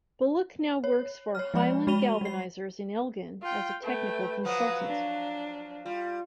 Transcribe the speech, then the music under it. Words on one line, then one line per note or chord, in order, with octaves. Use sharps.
Bulloch now works for Highland Galvanisers in Elgin, as a technical consultant.
C#5
C#5 F6
F3 G#3 D5 B5
G#3 F#4 B5 D#7 F7 G7
G3 C7
F4 G5
A3 B4 G5
F3 F#3 F#5 D#6
D4
G3 F4